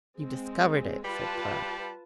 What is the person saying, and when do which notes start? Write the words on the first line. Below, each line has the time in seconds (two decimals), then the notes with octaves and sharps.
"You discovered it!" said Clara.
0.20 G#3 C4
1.05 G3 F4 B4 A5